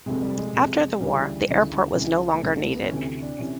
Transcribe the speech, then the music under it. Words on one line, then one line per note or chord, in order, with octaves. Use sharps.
After the war, the airport was no longer needed.
F1 F2 C3 G#3
G3
G#3
F1 F2 C3
D2 C#3 E3 G3
D2 C#3 E3
C#2 C#3 E3 G#3
A3
C#2 C#3 E3 G#3
A3
B3
D2 C3 E3 C#4
D4
C3 E3 C#4